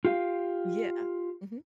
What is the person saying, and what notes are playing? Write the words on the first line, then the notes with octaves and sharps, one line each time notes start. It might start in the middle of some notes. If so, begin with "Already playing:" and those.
Yeah. Mhm.
F4 G4 F5